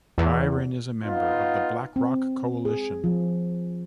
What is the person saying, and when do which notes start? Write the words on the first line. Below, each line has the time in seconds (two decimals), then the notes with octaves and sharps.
Byron is a member of the Black Rock Coalition.
0.18 E2
1.04 B3 D#4 F4
1.96 C4
2.65 G#4
3.04 F3